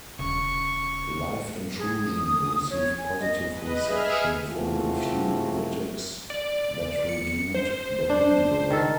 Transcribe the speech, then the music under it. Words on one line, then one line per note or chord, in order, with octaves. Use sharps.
"Live Intrusion" received positive reception from the few critics that reviewed the video.
E1 C#3 C#6
G#4
D#6
D#6
C#5
G#5
D#5
B4 D#5
G#4 E5 F6
C3 E3 G#3 A3 F4 F#4
D5
C#7
C5
D4
D#3 A4